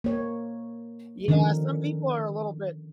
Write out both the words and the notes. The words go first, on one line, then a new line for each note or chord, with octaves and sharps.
Yeah, some people are a little bit
A#3 C#5
D3 D#3 F3 C#4 A#4